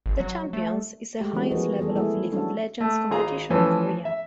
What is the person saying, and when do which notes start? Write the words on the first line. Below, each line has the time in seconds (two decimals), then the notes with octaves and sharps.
The Champions is the highest level of "League of Legends" competition in Korea.
0.06 G#1
0.20 F#3
0.53 A3
1.20 G#3 A3 G4
1.33 E3 F#3 G#3 C4 C#4 F#4
1.51 F3 B3 F#4 G#4 A#4 D#5
1.78 E3 G3 B3 G#4 A4
1.96 G#3 A3 E4 G#4
2.32 F#3 G3 C#4 D4 F#4 A4
2.80 A3
3.11 G#1 F4 G#4 A#5
3.50 E3 F3 A3 C#4
4.05 E5